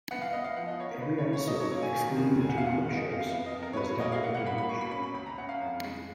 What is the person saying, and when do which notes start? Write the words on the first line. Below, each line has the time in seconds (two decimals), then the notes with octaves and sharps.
Every episode excluding the two clip shows was dubbed into English.
0.11 B3 F#5
0.22 F5
0.33 B3 D#5
0.44 F5
0.56 F3 F#5
0.68 D#5
0.79 B3 C#5
0.91 A#4
1.02 A#3 B4
1.18 C#5
1.25 C#3
1.33 C#5
1.48 F#3 D#5
1.60 C#5
1.71 A#3 C#5
1.83 G#5
1.94 D#3
2.16 F2
2.40 G#3 G#5
2.49 F#5
2.58 F5
2.63 D#3 F#5
2.85 B3 F5
2.97 D#5
3.08 F2 F5
3.20 F5
3.31 B3 F5
3.46 D#5
3.55 F2
3.63 A#4
3.73 C#5
3.77 F#3 B4
3.89 C#5
4.00 A#3 D#5
4.12 F5
4.23 A#3 F#5
4.35 F#5
4.46 A#3 B5
4.58 B5
4.69 B2 C#6
4.81 B5
4.91 C#4 B5
5.03 B5
5.14 C#2 B5
5.26 A#5
5.38 C#4 F#5
5.49 F5
5.60 F2
5.84 G#3